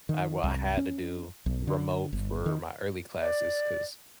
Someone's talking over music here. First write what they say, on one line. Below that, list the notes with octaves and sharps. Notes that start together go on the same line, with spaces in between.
I well, I had to do remote for my early classes 'cause
D#3
C2
C#4
B1
D3
G1
D#3
D5